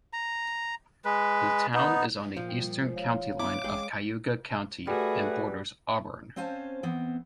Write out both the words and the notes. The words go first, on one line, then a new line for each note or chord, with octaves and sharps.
The town is on the eastern county line of Cayuga County and borders Auburn.
A#5
G#3 B4
B3 D#4
A#2 F3
G3
G#3 C5
D#1 C#5 F5
D2 B3 E4 D6
A1 G#3 G#4 G5
G3 A3 F#4 G#4 B4
C4 C#4 C5 F5 G#5 A5
E3 B3 C4